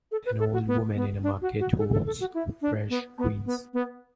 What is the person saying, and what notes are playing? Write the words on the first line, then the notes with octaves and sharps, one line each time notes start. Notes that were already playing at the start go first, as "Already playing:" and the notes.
An old woman in a market holds fresh greens.
A4
B4
A4
F#4
B3
B3
D4
F#4
F#4
A4
A4
A4
F#4
E4
D4
B3
B3
B3
B3